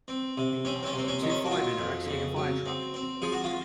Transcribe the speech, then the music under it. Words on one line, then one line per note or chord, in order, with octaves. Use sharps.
Two firemen are exiting a firetruck.
C4
C3
C4 C#4
C4
C#4
C3 C4
C#4
D#3
C#4
F#4
F#3 F4
F2
C#3
F#3
C4
C4
F3 G#4
F#4
F4